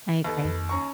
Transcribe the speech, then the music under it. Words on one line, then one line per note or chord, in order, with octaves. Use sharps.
I agree.
D#2 A4 B4
F2
C#4 A#5 C#6